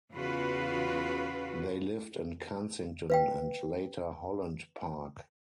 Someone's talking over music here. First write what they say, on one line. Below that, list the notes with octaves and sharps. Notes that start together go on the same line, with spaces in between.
They lived in Kensington and later Holland Park.
E2 C#3 F4 F#4 B4
B4 F5 G5